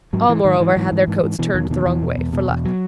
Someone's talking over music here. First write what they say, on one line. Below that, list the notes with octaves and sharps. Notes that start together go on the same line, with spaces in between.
All, moreover, had their coats turned the wrong way, for luck.
G#2 F#3
G#2 E3
G#2 D#3
G#2 E3
G#2 E3
G#2
G#2
G#2
B2 E3
E2 D#3
B2 D#3
E2 E3
B2
E2
B2
E2
F#3